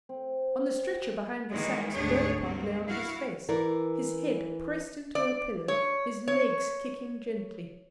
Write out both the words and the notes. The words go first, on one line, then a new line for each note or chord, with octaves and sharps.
On the stretcher behind the sacks Bonaparte lay on his face, his head pressed into a pillow, his legs kicking gently.
C4
D#3 E3 G3 G#3 A#3 B4
D2 G#2 D4 G4 G#4 C#5
G2 A#3 C4
E4 F#4 F5
E3 A#4 D5
D5
C#5
C#5